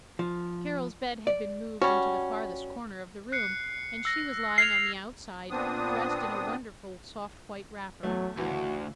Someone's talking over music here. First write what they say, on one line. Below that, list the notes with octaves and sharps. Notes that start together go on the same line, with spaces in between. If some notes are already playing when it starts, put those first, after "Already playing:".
Carol's bed had been moved into the farthest corner of the room, and she was lying on the outside, dressed in a wonderful soft white wrapper.
F3
D5
G3 C#4 F#4
F#6 C7 C#7
E6 A#6
F6 G#6 C7 F7
A#2 B3 C4 D4 D#6
E2 F#3 A3
D2 C#3 E3 F#4